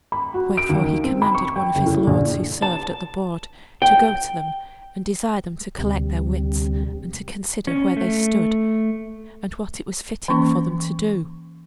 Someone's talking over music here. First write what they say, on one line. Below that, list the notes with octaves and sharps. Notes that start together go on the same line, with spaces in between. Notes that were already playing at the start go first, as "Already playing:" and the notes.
Wherefore he commanded one of his lords, who served at the board, to go to them and desire them to collect their wits, and to consider where they stood, and what it was fitting for them to do.
B5
F#4
D7
D#2
D#3
C4
B5
C#6
G5
F#1
A2
A#1
A5
G5
D2 C3 G3
C#4
A3
E3 A#3 C#4 C#6